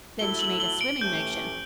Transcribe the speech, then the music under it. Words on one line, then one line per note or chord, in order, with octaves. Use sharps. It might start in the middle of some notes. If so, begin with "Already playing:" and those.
Then she made a swimming motion.
F#3 A3 E4 A4 G7
F#7
G7
D7
A2 E3 A3 C#4 G4 G6